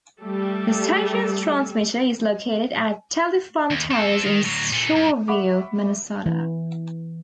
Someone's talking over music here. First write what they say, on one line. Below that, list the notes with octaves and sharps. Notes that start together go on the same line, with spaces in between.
The station's transmitter is located at Telefarm Towers in Shoreview, Minnesota.
G3 A3 G4 A4
D#2
C4 A4
D#3
D2 F#3
A#2 A4
G2
E5 F#5 B5 C#6 D6
E3